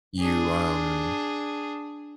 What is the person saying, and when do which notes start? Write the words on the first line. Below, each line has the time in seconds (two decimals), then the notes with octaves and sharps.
you, um,
0.20 D4 G#4